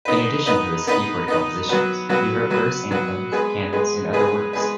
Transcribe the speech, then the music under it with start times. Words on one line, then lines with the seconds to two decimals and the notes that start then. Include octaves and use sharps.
In addition to his keyboard compositions, he wrote verse anthems, canons and other works.
0.05 B3 D#4 B4
0.46 B3 D#4 B4
0.87 B3 D#4 B4
1.28 B3 D#4 B4
1.69 F#3 B3 F#4 B4
2.09 F#3 B3 F#4 B4
2.50 F#3 B3 F#4 B4
2.91 F#3 B3 F#4 B4
3.32 G#3 B3 G#4 B4
3.72 G#3 B3 G#4 B4
4.13 G#3 B3 G#4 B4
4.53 G#3 B3 G#4 B4